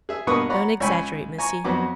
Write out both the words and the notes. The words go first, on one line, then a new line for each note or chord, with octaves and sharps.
Don't exaggerate, missy.
G#4 E5
G2 B2 A#3 B4 C#6 D#6
C#5 D5 F#5 A#5 B5
C#2 C#5 G5 G#5 B5 E6
G#5 A#5 C#6
F2 F#3 B3 D6